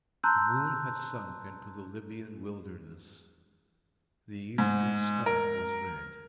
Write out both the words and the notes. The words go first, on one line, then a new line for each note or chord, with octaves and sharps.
The moon had sunk into the Libyan wilderness; the eastern sky was red.
A5 A#5 C6 E6 F#6 G6
G#2
A#4